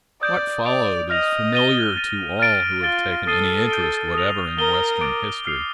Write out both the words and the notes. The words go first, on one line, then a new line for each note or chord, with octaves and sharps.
What followed is familiar to all who have taken any interest whatever in Western history.
D5 D#6 G6 D7
D5 G6 D7 F7
D#5 F6 A#6 F7
A6 D#7 G7
A6 D#7 G7
F6 A6 D7 G7
F4 A6 D7 G7
A4 D#6 A6 C7 D#7 G7
G6 D7 G7
D#6 A#6 F7
A#4 A6 D#7 G7
D6 A6 D7
F6 C7 F7